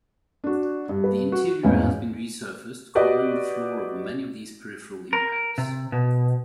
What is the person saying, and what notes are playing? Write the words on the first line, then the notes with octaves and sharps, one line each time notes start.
The interior has been resurfaced, covering the floor of many of these peripheral impacts.
D4 F#4
G2
B4
F#4
A1 E2 G#2 C#4 B4 F5
F#4 G4 B4 D5 D#5
A#4
C3
B2